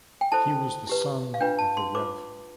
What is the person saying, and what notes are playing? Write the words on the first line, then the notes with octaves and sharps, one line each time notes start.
He was the son of the Rev.
G5
E4 A4 C5 A5
E4 G4 B4
F5
D4 F4 B4 G5
A5
C6
F4 B4 D6